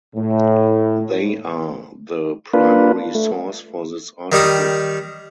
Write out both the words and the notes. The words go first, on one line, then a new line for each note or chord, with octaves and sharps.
They are the primary source for this article.
A2
A#3 D4 F4 B4
A3
D#3 G3 D#4 D#6